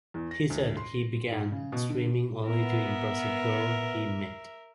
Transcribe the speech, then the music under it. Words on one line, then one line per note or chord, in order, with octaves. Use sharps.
He said he began swimming only to impress a girl he met.
E2
A#6
D2
C6
G#2
C#3
B2
D3
B3 A#4 E5